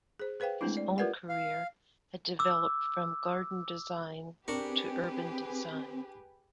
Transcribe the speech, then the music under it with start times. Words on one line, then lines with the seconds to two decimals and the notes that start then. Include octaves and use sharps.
His own career had developed from garden design to urban design.
0.20 G#4 C5
0.40 G#4 B4 C5 F5 G5
0.61 G#3 A3 C4 D4 E4
0.77 D5
0.98 F4 G4 A#4 B4 D5 F#5
1.29 F5
2.39 D6 E6
4.48 C4 D4 G4 G#4 A#4 B4 C#6